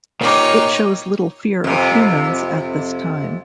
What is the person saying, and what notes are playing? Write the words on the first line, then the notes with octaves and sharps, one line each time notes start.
It shows little fear of humans at this time.
A#2 A#3 D#4 G4 C#5
F2 C3